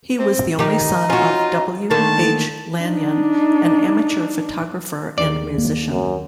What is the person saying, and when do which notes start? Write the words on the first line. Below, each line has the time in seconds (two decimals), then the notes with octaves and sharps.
He was the only son of W H Lanyon, an amateur photographer and musician.
0.19 C4
0.59 D#3 D#4 G4
1.10 C#4 F4 F#4
1.91 D3 D#3 A3 A#3 A5
2.81 D4 D#4
5.18 D#2 D#3 G#4 D5
5.58 A#3
5.89 F#2